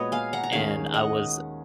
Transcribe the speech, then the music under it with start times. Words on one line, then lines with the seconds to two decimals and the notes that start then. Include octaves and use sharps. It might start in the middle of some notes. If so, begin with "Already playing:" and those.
and I was"
Already playing: A#2 G#3 B3 F#4 B4 C#5 D#5
0.12 F5 G#5
0.33 F#5 A#5
0.43 A#5
0.52 D#2 D#3 G#3 C#4 G#4 F5 G#5
0.94 D#5 F#5